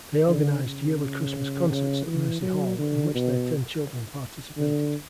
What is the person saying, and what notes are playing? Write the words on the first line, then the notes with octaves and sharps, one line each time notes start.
They organized yearly Christmas concerts at Mercy Hall in which their ten children participated.
D3
C#3
C#3
E3
F#3
D3
B2
D3